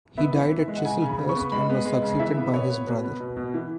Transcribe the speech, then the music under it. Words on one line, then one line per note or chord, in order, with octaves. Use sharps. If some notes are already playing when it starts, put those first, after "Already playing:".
He died at Chislehurst, and was succeeded by his brother.
B3 E5
E3
E3
G#3
F#5
C#3 G#5
C#3
B5
C#3
C#6
B3
G#3 B5
B3
G#3
C#3
E3 E5
B3
B3 C#5
B3
B2 B4
B3
B2
B2
E3